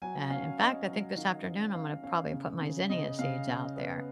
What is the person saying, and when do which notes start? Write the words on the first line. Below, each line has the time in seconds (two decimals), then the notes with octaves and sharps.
And in fact, I think this afternoon I'm gonna probably put my zinnia seeds out there.
0.02 F#3 G#5
0.30 C#4 F5
0.59 C#4 D#5
0.89 F#3
1.17 D#3 F5
1.46 C#4
1.75 C#4 F5
2.03 C#4 F5
2.33 C#3
2.61 C#3
2.90 C#3 D#5
3.19 C#3 F5
3.47 C#3
3.76 B3